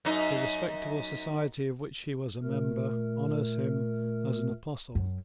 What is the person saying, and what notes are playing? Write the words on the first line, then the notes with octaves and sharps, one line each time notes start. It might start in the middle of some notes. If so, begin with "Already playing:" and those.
The respectable society of which he was a member honours him as an apostle.
F#2 D#4
A#2 A3 A#4
F#2